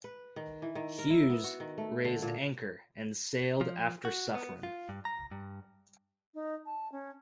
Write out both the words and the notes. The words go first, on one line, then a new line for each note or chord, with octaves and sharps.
Hughes raised anchor and sailed after Suffren.
B4
D#3
E3
D#3
A#4
E4
B3
F#4
D#3
A3
D3
A#2
F3
F#4
B3
F4
G2
A#5
G2
D#4
A5
C#4